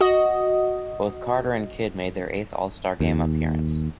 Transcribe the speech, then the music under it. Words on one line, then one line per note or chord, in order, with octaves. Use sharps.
Both Carter and Kidd made their eighth All-Star game appearance.
F#4 D#5
D#2